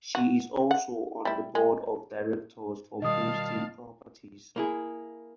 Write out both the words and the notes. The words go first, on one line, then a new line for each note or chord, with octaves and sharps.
She is also on the board of directors for Boston Properties.
F#4
F#5
G3 E4
G#3
B2 D#3 G3 D#5 F5 A5 D#6
A#3 E4 G#4